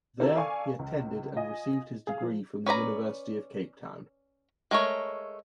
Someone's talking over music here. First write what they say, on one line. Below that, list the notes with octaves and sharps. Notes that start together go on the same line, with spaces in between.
There he attended and received his degree from the University of Cape Town.
D#3 C4 E4 G4 A4 A#4
A4 D5 F5 G#5 C#6
C#2
F4 D#5 G#5
G#4 F5
F3
C#4 B4 D5 A#5
G#3 A3 A#4 C#5